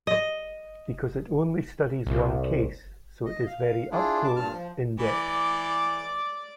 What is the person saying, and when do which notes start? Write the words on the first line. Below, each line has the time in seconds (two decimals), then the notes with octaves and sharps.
Because it only studies one case, so it is very up-close, in-depth.
0.07 D#5
2.07 C2
3.26 D#5
3.47 F5
3.91 D4 E4 F4 G#4
4.24 A5 D6
4.36 G2 A#2 A5 F6
4.52 F3
4.99 E3 D5 D6